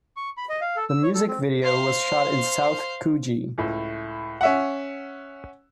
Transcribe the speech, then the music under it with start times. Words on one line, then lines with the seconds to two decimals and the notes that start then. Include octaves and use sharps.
The music video was shot in South Coogee.
0.16 C#6
0.37 B5
0.49 D#5
0.61 F5
0.76 A4
0.89 E6
1.03 C#5
1.14 A4
1.28 C4
1.62 C5 F5
3.58 C#2 A2
4.41 C#4 E5 F#5